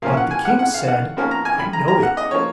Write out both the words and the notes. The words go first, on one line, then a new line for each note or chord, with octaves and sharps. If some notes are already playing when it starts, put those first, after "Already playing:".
But the king said, 'I know it.
A#2 F3 A#3 C#4 F5
F#5
G#5
F#5
F#5
F5
F#5
F2 F3 A#3 C#4
A#5
G#5
B5
A#5
A#5
F#5
D#5
F3 A#3 C#5